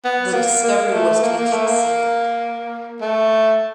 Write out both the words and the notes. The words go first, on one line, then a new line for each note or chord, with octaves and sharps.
The discovery was to be kept secret.
B3
A#3
A#3
A3
A#3
A#3
A3
A#3
A3